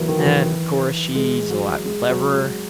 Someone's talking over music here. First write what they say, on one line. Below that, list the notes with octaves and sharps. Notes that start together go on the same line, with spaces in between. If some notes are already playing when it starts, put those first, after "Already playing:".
And, of course, she's a lot cleverer.
Already playing: E3 F#3 A#3
D#3
F#3
E3
G#3
F#3
G#3
F#3
G#3